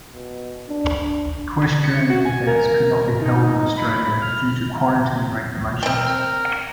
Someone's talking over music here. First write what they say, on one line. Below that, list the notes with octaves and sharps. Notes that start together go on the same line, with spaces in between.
Equestrian events could not be held in Australia due to quarantine regulations.
B2
D4
D4
C#7
F#4
G#5
A#4
D#4
B5
F6
C4 A#4 G5